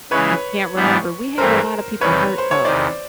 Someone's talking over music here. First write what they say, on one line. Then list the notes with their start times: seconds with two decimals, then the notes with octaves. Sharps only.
I can't remember. We had a lotta people hurt, though,
0.11 C#3 E3 G#3 B4 C#5
0.75 G#2 E3 G3 B3 D4
1.38 G2 E3 A3 C4 A#4 C5
2.01 E2 C3 D#3 G3 B4 C#5
2.38 C5
2.51 C#5
2.64 E2 C3 D#3 C5 D5